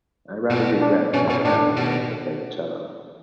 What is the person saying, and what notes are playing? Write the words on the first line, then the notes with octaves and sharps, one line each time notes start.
I rather regret never having learned to play the cello.
B2
D4
B2 C#4
B2
A2 D4
B2